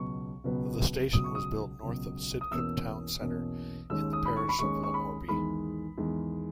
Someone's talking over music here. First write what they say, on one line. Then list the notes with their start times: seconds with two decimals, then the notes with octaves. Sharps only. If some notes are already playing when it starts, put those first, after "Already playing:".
The station was built north of Sidcup town centre in the parish of Lamorbey.
Already playing: C#2 B2 F#3 B3 C#6
0.44 C#2 B2 F#3 B3
1.13 C#2 B2 F#3 D#6
1.24 C#6
1.35 D#6
1.83 C#2 B2 F#3
2.41 D#6
2.51 E2 B2 A#3 C#4 E6
3.20 E2 B2 A#3 C#4
3.90 D#2 D#3 G#3 C#4 E6
4.13 D#6
4.26 B5
4.36 C#6
4.49 B5
4.59 D#2 D#3 G#3 C#4 C#6
4.84 C#6
4.94 B5
5.28 E2 D#3 G#3 B5
5.98 E2 D#3 G#3